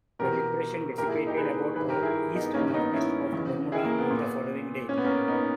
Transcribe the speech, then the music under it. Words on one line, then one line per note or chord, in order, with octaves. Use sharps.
The depression dissipated about east-northeast of Bermuda on the following day.
E2 B2 G4 A#4
A#2 G4 A#4
E4 G#4
D#4 G4
G#4 B4
G2 D#3 G#4 B4
G4 A#4
E4 G#4
B3 D#4
G2 D#3 A#3 C#4
B3 D#4
C#4 E4
E2 C#3 E3
E4 G#4
A#3
B3
A#2
A#2 C#4
B3
A#3 C#4
B3 D#4